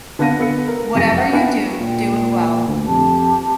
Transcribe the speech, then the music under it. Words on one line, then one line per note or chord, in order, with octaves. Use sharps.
Whatever you do, do it well.
D3 B3 D4 F5 A#6 D#7
B3 A4 F5 C#7
A#4
F1 F#2 G#4 A#6
F5 F#5
B3 D4 E4 F5 G5 G#5
A#2 G5
D2
F2 G4 A5